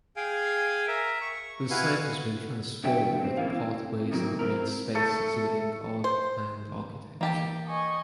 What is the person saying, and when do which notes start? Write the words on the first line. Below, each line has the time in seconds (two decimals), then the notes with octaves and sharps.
The site has been transformed with pathways and green space exhibiting art and architecture.
0.16 G#4 F5 G5 G#5
0.88 A#4 E5
1.21 C#6
1.70 E4 F#4 B4 F5 F#5 G#5
2.84 A#2 D3 F#3 E5 G5
3.21 C4 C5
3.37 D#3 E3 A#3 C#4 E4 F5
3.53 C4 E4
4.11 C3 D#3 F#3 A#3
4.39 C4 E4 A#4
4.95 A3 A4
6.04 C5
7.21 E3 A#3 G4 A5
7.67 D#5 G#5 C#6